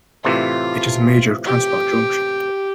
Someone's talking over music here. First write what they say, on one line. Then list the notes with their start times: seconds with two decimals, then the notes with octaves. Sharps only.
It is a major transport junction.
0.25 A2 C3 E3 F4
1.45 G4